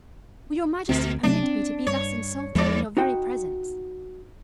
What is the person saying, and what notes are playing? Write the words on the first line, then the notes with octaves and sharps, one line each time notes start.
"Will your majesty permit me to be thus insulted in your very presence?"
D2 B2 C4
C3 F#3 A3 D4
C4
G2 C#5
E2 G#2 F3 G#3 D5
D#4 F#4 G5